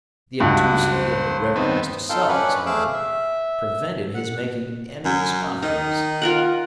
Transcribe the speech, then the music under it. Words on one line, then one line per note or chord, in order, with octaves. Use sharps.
The obtusity of the Reverend Mr. Suggs, however, prevented his making any discoveries.
C#2 G2 F#4
C5
D#3 B3 C4
D#4 F4 A4 F5 G5
C#4 D4 B4 D5 F#5 B5
A3 G#4 F5 D6 E6 F#6
E5
F#5
F#2
D#3 D#4
F4 A#4 F#5